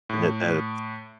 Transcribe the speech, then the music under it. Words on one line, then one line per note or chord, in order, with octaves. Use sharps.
And, eh, that
A2